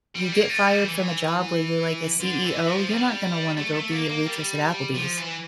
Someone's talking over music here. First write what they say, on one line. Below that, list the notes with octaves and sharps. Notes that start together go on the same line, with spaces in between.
you get fired from a job where you're, like, a CEO, you're not gonna wanna go be a waitress at Applebee's,
G3
A#3
A3
G3
E3
D3
E3
F3
G3
A3
A3
A#3
A#3
G3
F3
E3